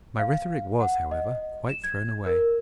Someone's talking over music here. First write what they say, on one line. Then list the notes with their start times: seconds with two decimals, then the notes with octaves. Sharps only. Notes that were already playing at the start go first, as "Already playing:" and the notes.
My rhetoric was, however, quite thrown away.
0.19 F5
0.81 F#5
1.11 D#5
1.69 E7
1.84 G#6
2.26 A#4